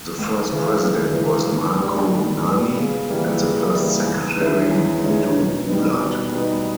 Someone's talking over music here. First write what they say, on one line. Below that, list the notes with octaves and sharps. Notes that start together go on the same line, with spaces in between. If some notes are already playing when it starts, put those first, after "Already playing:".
The first president was Marko Nani and the first secretary Edo Bulat.
C#2
C#3 E3
C#2
C#3 E3
G#2
G3 B3
G#2
G3 B3
C#3
E3 G3 A#3
C#3
E3 G3 A#3
E2
D#3 G#3 C#4 E4
E2
D#3 G#3 C#4 E4
B2
G3 B3 D#4
B2
G3 B3 D#4